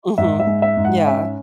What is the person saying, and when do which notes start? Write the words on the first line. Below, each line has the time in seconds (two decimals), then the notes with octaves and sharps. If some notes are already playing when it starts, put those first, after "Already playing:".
Mhm. Yeah.
0.18 G#2 E5
0.40 E5
0.47 G#3
0.62 E5
0.77 G#2
0.85 F#5
1.07 C#4 E5